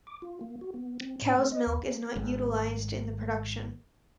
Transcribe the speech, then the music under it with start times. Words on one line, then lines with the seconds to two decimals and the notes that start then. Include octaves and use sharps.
Cow's milk is not utilized in the production.
0.07 D6
0.22 F4
0.41 A#3
0.61 F#4
0.74 B3
1.01 C4
1.22 A2
1.38 A3
1.52 D#5
1.67 D#2
2.16 G#1 G#2